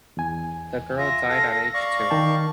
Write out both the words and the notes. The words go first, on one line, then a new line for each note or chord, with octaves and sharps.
The girl died at age two.
E2 G#5
F4 E5 A#6
A4 F5
D5 F5 C#6
D#3 G5 A5